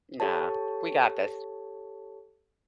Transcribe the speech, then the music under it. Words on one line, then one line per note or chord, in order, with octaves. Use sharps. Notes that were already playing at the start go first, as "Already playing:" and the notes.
Nah, we got this.
G4 A4 C#5 A5